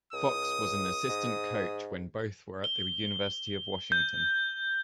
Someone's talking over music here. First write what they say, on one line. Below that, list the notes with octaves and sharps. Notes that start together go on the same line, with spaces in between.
Fox was an assistant coach when both were at the University of Washington.
C#2 D#6
G#2
G7
G6